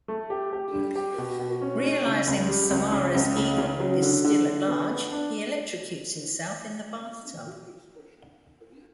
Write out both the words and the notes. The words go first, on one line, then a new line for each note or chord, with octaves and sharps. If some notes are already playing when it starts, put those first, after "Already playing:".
Realizing Samara's evil is still at large, he electrocutes himself in the bathtub.
A3
G4
G4
G3
G4
B2
B2
C#4
C#4
C#3
C#2
G3
C#2
C#3
C#2
C#3
C#3
F#3
D3
D3
D3
B3
B3
D4